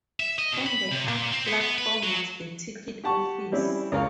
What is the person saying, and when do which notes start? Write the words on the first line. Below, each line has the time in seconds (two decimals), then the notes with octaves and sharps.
On the up platform was the ticket office.
0.20 E5
0.39 D#5
0.53 B2
0.66 B5
0.91 C3
1.08 A#2
1.32 C4
1.46 B3
1.61 B3
1.78 B4
2.03 F#3
3.04 G4 F#5 A5 C#6
3.52 G3 C4 C#4 E4
3.92 C#2 A#4 C#5 F5